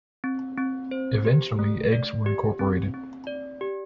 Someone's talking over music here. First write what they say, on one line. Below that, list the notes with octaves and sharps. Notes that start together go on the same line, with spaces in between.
Eventually eggs were incorporated.
C4
C4
C5
G4
A3
D5
G4
C4
C4
D5
G4